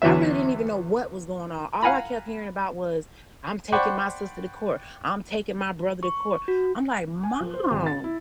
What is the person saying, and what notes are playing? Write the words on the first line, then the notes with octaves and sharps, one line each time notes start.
I really didn't even know what was going on. All I kept hearing about was, "I'm taking my sister to court. I'm taking my brother to court." I'm like, "Mom,
E2 D3 E3 F#3 E5
F5 F#5 G#5 A#5 B5
C5 D5 F#5 G5 B5 C#6
C#6
F#4
G#5
F3
C5
G#1
A6
E4